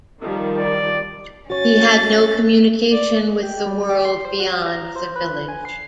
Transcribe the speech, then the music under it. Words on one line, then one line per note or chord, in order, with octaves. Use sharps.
He had no communication with the world beyond the village.
D#3 F3 G3
D5
C#4 F#4 C#5 A6
D5
G4
G3
G4
C6
C5
F#4
A#5
C5
B4
G#5
C7